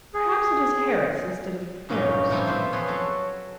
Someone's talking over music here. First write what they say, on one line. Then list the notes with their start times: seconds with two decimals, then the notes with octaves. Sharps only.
"Perhaps it is Harris instead of Ferris."
0.14 G#4
1.89 G2 A#2 F#3 A#3 C#4 D#4
2.30 A2 C3 F3 G3 C4
2.46 B3 C4 F4 C5 E5
2.73 F2 G#4 B4 C#5 C6
2.88 F#3 A4